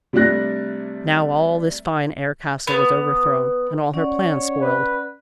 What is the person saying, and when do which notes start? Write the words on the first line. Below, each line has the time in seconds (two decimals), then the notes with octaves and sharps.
Now all this fine air-castle was overthrown and all her plans spoiled.
0.13 C3 G3 A3 D4 F#6 A#6
2.67 B3
3.94 C#4 C#5 D5 F#5
4.61 B4